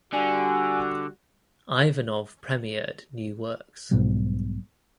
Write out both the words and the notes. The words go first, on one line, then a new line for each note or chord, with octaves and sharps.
Ivanov premiered new works.
D3 G3 F#4 G#5
B1 G#2 B2 G3